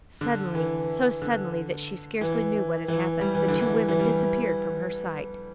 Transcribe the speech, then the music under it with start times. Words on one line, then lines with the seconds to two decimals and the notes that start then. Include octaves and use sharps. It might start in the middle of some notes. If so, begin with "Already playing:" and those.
Suddenly, so suddenly that she scarcely knew what had happened, the two women disappeared from her sight.
0.21 D3
0.55 E3
1.22 D3
2.21 E3
2.88 E3
3.21 G3
3.35 E3
3.48 D3
3.60 E3
3.88 E3
3.99 G3